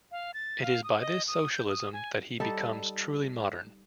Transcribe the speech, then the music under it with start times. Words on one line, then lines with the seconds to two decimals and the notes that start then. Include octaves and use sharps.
It is by this socialism that he becomes truly modern.
0.12 F5
0.34 A6
0.62 F5
0.84 D#6
1.00 D#5
1.28 D#6
1.52 G6
1.67 D#6
1.93 G#5
2.40 G3 D#4 A4